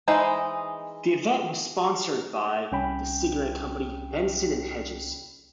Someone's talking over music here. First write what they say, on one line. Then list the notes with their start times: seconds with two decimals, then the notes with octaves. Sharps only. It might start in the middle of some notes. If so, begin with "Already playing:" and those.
The event was sponsored by the cigarette company Benson and Hedges.
0.08 E3 G#3 D#4 C5
2.72 C2 C#4 G5 B5